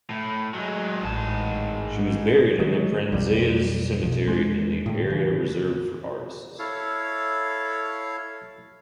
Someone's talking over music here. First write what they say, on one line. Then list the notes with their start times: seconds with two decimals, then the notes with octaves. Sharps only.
She was buried in the Prazeres Cemetery in the area reserved for artists.
0.10 A2
0.54 F#3 G#3
1.03 A1 G#2 A5
2.59 D3 D#3 F#3 G#3
3.12 B1 F2 G3
4.03 B2 F3
4.28 E2 G#3 D4
4.86 A2 D3
5.10 C#3 E3
6.59 E4 A4 C#5 F5